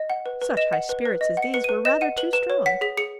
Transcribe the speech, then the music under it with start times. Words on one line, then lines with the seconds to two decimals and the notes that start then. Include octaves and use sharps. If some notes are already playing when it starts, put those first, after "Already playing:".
Such high spirits as these were rather too strong.
Already playing: D#5
0.10 F#5
0.26 B4
0.42 B4
0.57 D#5 E7
0.73 F#5
0.89 B4
1.06 B4
1.21 D#5
1.37 F#5
1.42 C#7
1.54 B4 C#7
1.64 B4 D#7
1.85 D#5 E7
2.01 F#5 D#7
2.17 B4 F#7
2.33 B4 E7
2.50 C#5
2.66 F#5 B6
2.81 G#4 B6
2.97 G#4 C#7